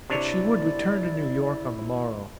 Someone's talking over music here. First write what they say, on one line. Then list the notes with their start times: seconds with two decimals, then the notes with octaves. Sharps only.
But she would return to New York on the morrow.
0.10 C3 D4 E4 C#5 D5